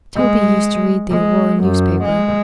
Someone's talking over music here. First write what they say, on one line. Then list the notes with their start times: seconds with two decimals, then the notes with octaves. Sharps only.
Toby used to read the Aurora newspaper.
0.16 G#3
1.11 G#3
1.64 F#2
2.05 G#3